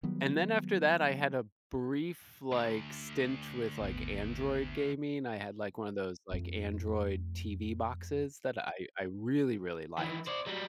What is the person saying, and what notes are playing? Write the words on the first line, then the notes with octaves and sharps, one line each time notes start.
and then after that I had a brief, like, stint with, like, Android gaming. I had, like, one of those, like, Android TV boxes that I I really, really liked,
D#3 F#3 G3 B3
D2
G#1 D#2 B3
F2 A3
D#3 E3
C5 D5
F#3 G3